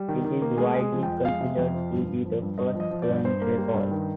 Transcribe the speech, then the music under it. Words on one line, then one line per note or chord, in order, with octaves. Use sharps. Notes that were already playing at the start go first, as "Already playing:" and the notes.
It is widely considered to be the first grunge record.
Already playing: G3
D#3
D#3
A#3
G#3 G#4
G#3
G#4
F3
F2 G5
G#3 F5
C3
F2
F3
G2
G2
F3
G2
G2 D#5
F3 D#5
F3
D5
G2
G2 C5
A#3
G3
G2
D#3